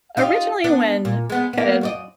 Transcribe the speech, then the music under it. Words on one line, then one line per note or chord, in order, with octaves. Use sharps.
originally when, kind of,
D#4 F4 G4
B3 D4
A#2
G#3 B3
A#3 B3
F#2 D5 D#5